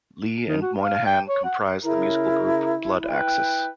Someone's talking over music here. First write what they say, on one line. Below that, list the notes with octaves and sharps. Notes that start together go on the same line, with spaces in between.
Lee and Moynihan comprise the musical group, Blood Axis.
D#3
F#4
F5
G5
C#5
F#5
C#3 E4 A#4
E4 B4 G5